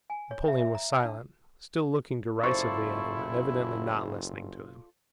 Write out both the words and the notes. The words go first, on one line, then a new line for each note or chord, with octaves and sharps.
Napoleon was silent, still looking derisively at him and evidently not listening to him.
G#5
C#5
E5
E5
A#5
A5
D4
F#1 E4 F4 A4 C5 D5 C#6